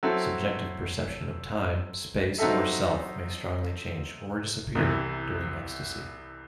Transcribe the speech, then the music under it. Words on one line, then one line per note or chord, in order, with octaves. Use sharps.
Subjective perception of time, space or self may strongly change or disappear during ecstasy.
F#3 C4 E4 A4
F#3 C4 D#4 A4 E5
C2 C3 E3